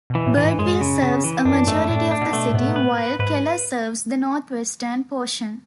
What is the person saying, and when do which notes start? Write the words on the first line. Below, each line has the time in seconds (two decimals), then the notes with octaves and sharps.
Birdville serves a majority of the city, while Keller serves the northwestern portion.
0.10 B2 E3
0.26 A2
0.37 E3
0.43 G#2
0.58 F#2 G#3
0.81 C#3
1.02 C#3
1.24 E3
1.45 F#2 D4
1.67 G#2 A3
1.89 A2 D4
2.11 D4
2.21 B2
2.33 A3
2.50 A2
2.54 G#2 B3
2.76 B4
2.98 B4
3.19 G#2 B4